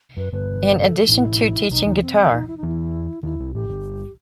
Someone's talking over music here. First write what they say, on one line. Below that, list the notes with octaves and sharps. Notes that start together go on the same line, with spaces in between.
In addition to teaching guitar.
F#2 B4
G1 G2 B4
A4
A1 A2 E4
B1 B2 D#4
D#2 D#3 D#4
C4
D#4
E4
D#4
E2 E3 E4
D#2 D#3 E4
C2 C3
A1 A2 G4
G1 G2